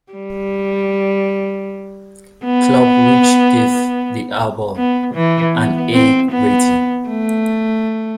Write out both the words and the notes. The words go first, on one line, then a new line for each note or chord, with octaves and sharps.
Club, which gave the album an A- rating.
G3
B3
B3
E3
B3
C4
B3
A3